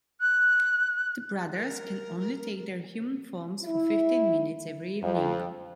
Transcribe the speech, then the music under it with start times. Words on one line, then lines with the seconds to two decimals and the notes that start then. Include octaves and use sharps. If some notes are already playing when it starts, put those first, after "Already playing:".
The brothers can only take their human forms for fifteen minutes every evening.
0.20 F#6
1.56 A#4
3.64 E4
5.03 F2